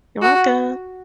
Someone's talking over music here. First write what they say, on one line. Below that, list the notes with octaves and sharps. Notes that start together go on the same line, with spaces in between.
You're welcome.
F#4